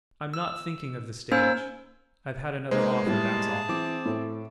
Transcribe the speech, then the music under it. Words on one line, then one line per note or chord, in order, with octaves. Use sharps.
"I'm not thinking of the stage. I've had another offer: that's all."
E6
A#3 C#4 D#4 C5 E6
G#3 A#3 D#4 B4 C5
A2 G3 G#4 A5
E3 C4 D6
A2 A4